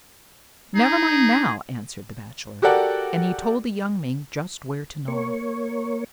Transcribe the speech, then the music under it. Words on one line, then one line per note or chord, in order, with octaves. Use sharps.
"Never mind now," answered the Bachelor, and he told the young Mink just where to gnaw.
D#4 G#4
F#4 G4 A4 A#4 D5 F#5
A#3 C#5